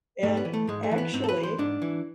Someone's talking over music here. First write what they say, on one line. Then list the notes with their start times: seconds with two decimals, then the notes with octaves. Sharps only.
and actually,
0.23 G#2 A3
0.37 B3
0.45 E3
0.53 A3
0.67 G#2 G#3
0.83 A3
0.91 E3
0.98 B3
1.13 G#2 C4
1.24 A4
1.29 B4
1.37 E3
1.43 C5
1.58 G#2 D4
1.82 E3